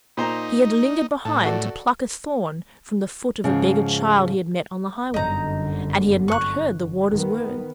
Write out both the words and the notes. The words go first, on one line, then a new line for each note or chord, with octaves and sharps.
He had lingered behind to pluck a thorn from the foot of a beggar child he had met on the highway, and he had not heard the Warder's words.
A#2 D#4 C5 A#5
A2 A5
F#4 A4 D5
G#2 C#3 F3
G1 F#2 D3 D#4 A#5
C#6 F#6
D#3 B3